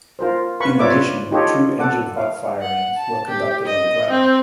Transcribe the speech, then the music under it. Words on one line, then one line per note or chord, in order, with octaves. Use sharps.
In addition, two engine hot firings were conducted on the ground.
F4 A#4 C5
B4 F5 B5 C#6
F4 B4 C#5 D5 E5 D6
D#4 F4 G4 A4 C#5 D#5
A4 F#5 D6
F5
F#5
A5
G4
D#5
C4